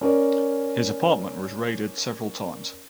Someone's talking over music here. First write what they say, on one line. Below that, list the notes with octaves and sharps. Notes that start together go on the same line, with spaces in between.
His apartment was raided several times.
C#4 A#4 C#5 D5